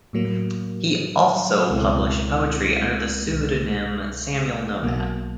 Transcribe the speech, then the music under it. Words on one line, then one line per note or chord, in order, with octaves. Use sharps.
He also published poetry under the pseudonym Samuel Nomad.
A2 F#3 A#3
C#2 B2 G#3 C4 E4
C2 B2 G#3
B1 B2 F#3 A#3